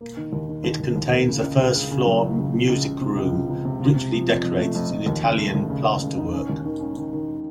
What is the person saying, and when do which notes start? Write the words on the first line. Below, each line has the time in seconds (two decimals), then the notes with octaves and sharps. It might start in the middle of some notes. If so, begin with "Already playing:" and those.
It contains a first floor music room richly decorated in Italian plasterwork.
0.01 A#3
0.17 D#3
0.33 D#2
0.49 D#3
0.64 D#2
0.80 D#2
0.96 D#2
1.12 A#3
1.28 C#3
1.44 C#2
1.60 C#3
1.75 C#3
1.91 C#3
2.07 F#3
2.23 C#2
2.38 C#3
2.54 F3
2.70 C#2
2.85 C#2
3.01 C3
3.17 C#2
3.33 F3
3.49 C#2
3.65 C3
3.80 C3
3.96 C3
4.12 F3
4.28 F2
4.44 F2
4.59 A3
4.75 F2
4.91 F2
5.06 D#2
5.23 C#3
5.38 A3
5.55 D#2
5.70 C#3
5.86 C#3
6.02 C#3
6.18 D#4
6.34 C#4
6.49 D#2
6.66 D#3
6.81 C#4
6.97 D#3
7.13 D#3